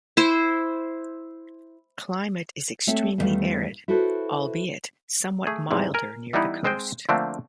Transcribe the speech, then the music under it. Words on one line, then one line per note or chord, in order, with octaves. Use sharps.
Climate is extremely arid albeit somewhat milder near the coast.
E4 C5
A3 C4 C#5 E5
E2 B2 D#3 G3 A3 F5
E4 F#4 A4 B4 C5
A3 G#4
E2 G#2 C3
A#4 G#5
E3 G3 B3 D#4 E4
G#3 C4 C5 D#5 G5
D3 F3 A3 A#3 C4 D4